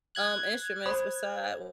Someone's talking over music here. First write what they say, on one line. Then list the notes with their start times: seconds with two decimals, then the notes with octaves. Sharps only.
um, instruments beside
0.15 F#6 G#6
0.86 C5 B5 D#6